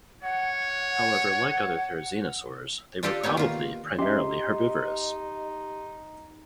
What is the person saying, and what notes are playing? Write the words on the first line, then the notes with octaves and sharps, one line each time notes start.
However, like other therizinosaurs, they were probably primarily herbivorous.
C#5 F#5
D4 F4 G4 A4 D5 D#5
A#3 B3 D#4 C#5
D#3 F4
C#4 D#4 G4 D#5 E5 C6